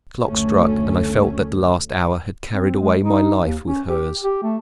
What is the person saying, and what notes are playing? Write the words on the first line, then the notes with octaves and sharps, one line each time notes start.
The clock struck and I felt that the last hour had carried away my life with hers.
F#1 D2 A3 C#4
C4
G#3
D#4
D#2
C#4
G4
G4
A3